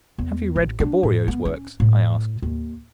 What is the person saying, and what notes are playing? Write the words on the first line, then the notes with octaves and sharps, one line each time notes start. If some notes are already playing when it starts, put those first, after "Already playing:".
"Have you read Gaboriau's works?" I asked.
E2
A1
D4
A2
B3
C#4
A2
D#2